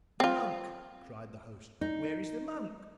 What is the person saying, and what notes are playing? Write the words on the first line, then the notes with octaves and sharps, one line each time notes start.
"The monk!" cried the host; "where is the monk?"
C4 F4
D#4